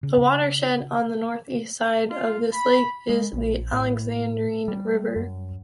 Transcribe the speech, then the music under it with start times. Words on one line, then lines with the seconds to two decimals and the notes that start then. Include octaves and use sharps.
The watershed on the northeast side of this lake is the Alexandrine River.
0.03 C#3
2.10 F4
2.53 B5
3.09 G#3
3.33 A#1
3.73 A2
4.68 G3
5.16 F#2